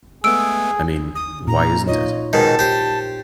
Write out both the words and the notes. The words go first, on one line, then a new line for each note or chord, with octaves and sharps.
I mean, why isn't it?
G#3 A3 B3 G#4 E6 D7
D#6
A#2 D#4 A#5
D#4 F4 C#5 D#5
G#2 B2 D#3 A5
G4 C5